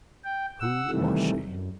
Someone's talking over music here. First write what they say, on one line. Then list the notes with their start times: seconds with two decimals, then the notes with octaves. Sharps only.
Who was she?
0.25 G5
0.60 F#5 E6
0.90 C3 D#3 E3 G3 A3
1.44 F#2